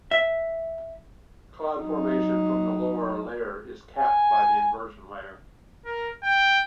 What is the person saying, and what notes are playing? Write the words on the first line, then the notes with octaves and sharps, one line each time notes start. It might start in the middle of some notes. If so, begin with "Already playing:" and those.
Cloud formation from the lower layer is "capped" by the inversion layer.
E5
F#3 D#4
G#5
A#4
G5